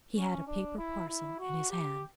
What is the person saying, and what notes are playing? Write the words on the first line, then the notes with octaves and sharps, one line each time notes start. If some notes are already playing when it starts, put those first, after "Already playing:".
He had a paper parcel in his hand.
C#4
D4
E4
E4
F#4
G4